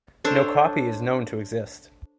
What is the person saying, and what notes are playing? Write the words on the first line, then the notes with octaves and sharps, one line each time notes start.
No copy is known to exist.
D4 A4 C5 C#5